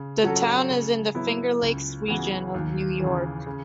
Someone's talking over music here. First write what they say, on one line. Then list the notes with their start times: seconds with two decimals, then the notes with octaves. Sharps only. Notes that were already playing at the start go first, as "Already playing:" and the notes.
The town is in the Finger Lakes region of New York.
Already playing: C#3
0.23 F#3 C#4 F#4 A4
0.70 C#3
1.15 F#3 B3 E4
1.62 C#2
2.08 C#3 E3 B3 F#4
2.54 D#2
3.00 C#3 E3
3.46 C#3